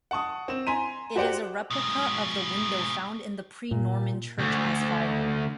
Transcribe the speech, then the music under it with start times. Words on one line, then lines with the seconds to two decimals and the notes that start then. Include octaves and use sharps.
It is a replica of the window found in the pre-Norman Church as Falmore.
0.11 F#5 A5 C#6 D#6
0.48 C4 E7
0.67 G#5 A#5 C6 B6 D#7
1.16 F#4 G4 C5 D5 F#5 G5
1.71 G#2 B2
3.71 A#2
4.39 D2